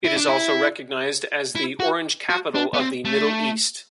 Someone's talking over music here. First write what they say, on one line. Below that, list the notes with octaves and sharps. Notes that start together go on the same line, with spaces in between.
It is also recognized as the orange capital of the Middle East.
E4
D4
E4
E4
F#4
F#4
D4
B3
C4
A3